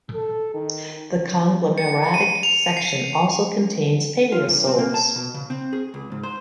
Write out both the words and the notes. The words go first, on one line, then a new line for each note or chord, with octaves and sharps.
The conglomeratic section also contains paleosols.
A4
D#3
C#7
D#7
F7
C7
F4
G2
C4
A#3
A5
B2
C#3
C4
G#4
C#2
G#2
C5